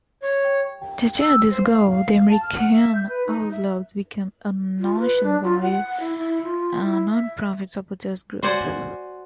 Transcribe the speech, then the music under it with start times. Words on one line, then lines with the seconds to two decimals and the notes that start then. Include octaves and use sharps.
To achieve this goal the American Outlaws became a nationwide, non-profit, supporters' group.
0.22 C#5
1.20 E6
1.51 C5
1.64 F5
1.90 F5
2.29 A5
2.43 F6
2.57 F#5
2.73 E5
2.95 G6
3.09 B4
3.27 D#4
3.52 E5
4.79 F4
4.99 B4
5.23 D4
5.44 F4
5.61 F#5
6.00 E4
6.18 E4
6.44 F4
6.82 E4
7.09 E5
8.43 F#4 C5 D5 F#5 G#5